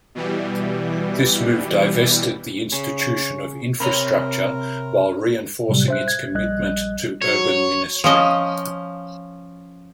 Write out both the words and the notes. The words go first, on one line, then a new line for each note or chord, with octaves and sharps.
This move divested the institution of infrastructure while reinforcing its commitment to urban ministry.
B2 E3 G3
C#3 C#5
C3 C4 A#4 C#5 A#5 B5
A2 C3 F#3 G3
C5 E5 F#6
G#6
A#1 G3 D#5 F#6
F#3 C#5
F3 C#4 D#5